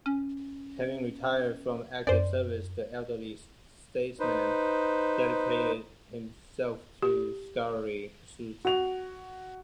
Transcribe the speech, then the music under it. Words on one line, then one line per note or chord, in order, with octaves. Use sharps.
Having retired from active service, the elderly statesman dedicated himself to scholarly pursuits.
C#4
F#2 C5 D5
D#4 B4 C5
G4
F#4 F7